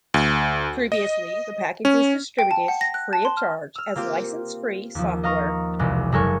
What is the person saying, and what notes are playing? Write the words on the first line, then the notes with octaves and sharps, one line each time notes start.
Previously the package was distributed free of charge as license-free software.
D2
D#5
C#4
G5
A5
F#5
A#6
F#6
A5
C6
F6
E6 F6
A#3 C4 F4 G4
D#2 F3
D#5 F5 A#5 C#6 D#6
E1 C2 G#3 G4
F#1 G#3 A4 A#4 G#5 C#6